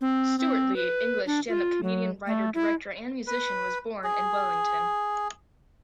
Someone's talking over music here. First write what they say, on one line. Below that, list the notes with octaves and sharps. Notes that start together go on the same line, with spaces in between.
Stewart Lee, English stand-up comedian, writer, director and musician, was born in Wellington.
C4
C4
B4
D4
F4
F#3
A3
E4
B4
G#4